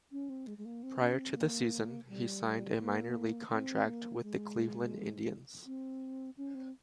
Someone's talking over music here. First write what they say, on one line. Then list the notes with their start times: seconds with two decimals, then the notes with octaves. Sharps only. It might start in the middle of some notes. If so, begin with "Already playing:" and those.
Prior to the season, he signed a minor league contract with the Cleveland Indians.
0.12 C#4
0.30 C4
0.47 G#3
0.58 G#3
0.65 A#3
0.83 C4
1.01 C#4
1.19 C4
1.36 A#3
2.09 G3
2.80 A#3
3.51 C4
3.87 A#3
4.23 G#3
5.66 C4
6.37 C#4
6.55 C4